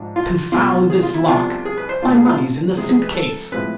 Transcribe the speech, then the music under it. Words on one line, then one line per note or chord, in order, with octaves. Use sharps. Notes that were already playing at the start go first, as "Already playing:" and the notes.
"Confound this lock--my money's in the suit case."
Already playing: G#2 F3 D4
F4
B2 G#3 B3 F4
G#4
F4
E4
C2 C3 F3 B3 D4 F4
G#4
B4
C5
B2 A3 D4 F4
G#4
F4
F2 C3 G#3 C4 G#4
G#4
B4
A4
A2 F3 G#3 C4 E4 B4